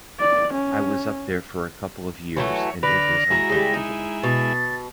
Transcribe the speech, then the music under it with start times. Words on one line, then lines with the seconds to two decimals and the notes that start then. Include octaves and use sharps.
I was up there for a couple of years, and it was uncomfortable.
0.19 D5
0.54 C#4
2.36 E3 F#3 A3 C#5
2.83 D3 B4 D5 F6 A#6
3.30 G#3 E4 F#4 A#5
3.49 C#3 G3
3.74 D#4
4.23 B2 A6